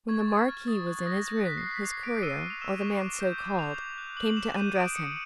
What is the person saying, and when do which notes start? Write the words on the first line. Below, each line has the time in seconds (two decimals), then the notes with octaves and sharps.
When the Marquis was in his room, his courier, or the man so called, came to undress him.
0.09 C#6 G#6
0.20 A6
0.28 C#6 G#6
0.48 F6
0.68 D#6 A6
0.87 F#6
0.98 A6
1.06 D#6 A#6
1.26 F#6
1.45 F#6 B6
1.57 C7
1.64 F#6
1.71 B6
1.83 D6 C7
2.03 D6 D7
2.23 E6 D#7
2.42 E6
2.50 F7
2.61 E6 E7
2.82 C#6 D#7
3.01 D6
3.20 G6
3.39 D6
3.59 G6 F7
3.78 D6
3.98 F#6
4.17 D6 F#7
4.37 D6 E7
4.55 G6 D#7
4.75 D#6 D7
4.95 D#6 C#7